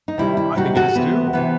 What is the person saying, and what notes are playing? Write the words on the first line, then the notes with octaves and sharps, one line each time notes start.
I think it is too.
D#4
C3 D#3 G3 E4
E4
C3 D#3 G3 D#4 F#4
F#4 A4
C3 E3 B3
C3 E3 B3